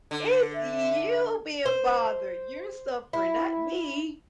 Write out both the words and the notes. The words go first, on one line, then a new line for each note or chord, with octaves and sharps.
It's you being bothered. You're suffering, not me.
D3
E5
C5
E4